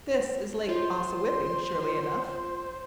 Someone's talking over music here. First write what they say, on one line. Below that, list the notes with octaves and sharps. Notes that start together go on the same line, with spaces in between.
This is Lake Ossawippi surely enough.
F4 C5 C#5 C6